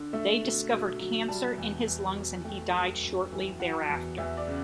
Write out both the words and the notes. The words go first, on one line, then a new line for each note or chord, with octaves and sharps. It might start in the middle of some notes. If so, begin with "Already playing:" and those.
They discovered cancer in his lungs and he died shortly thereafter.
Already playing: D3
A3 E5
B2
B2
F#3
G3 A5
E2
E2
B2
A3 G5
F#2
F#2
E3
F#3 F#5
E2
E2 E5
D5
C#3